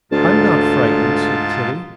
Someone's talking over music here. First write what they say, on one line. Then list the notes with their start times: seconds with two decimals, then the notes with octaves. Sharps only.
"I'm not frightened," said Kitty.
0.12 D2 G#2 F4 A5